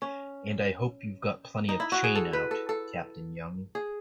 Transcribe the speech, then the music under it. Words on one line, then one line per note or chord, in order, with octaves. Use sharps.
And I hope you've got plenty of chain out, Captain Young.
C#4
D#4
E4
F#4
G#4
A4
B4
A4
A4
G#4